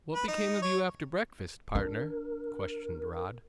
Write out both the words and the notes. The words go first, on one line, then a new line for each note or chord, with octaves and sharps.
"What became of you after breakfast, partner?" questioned Rod.
B4
D#4
C#5
D4 A#4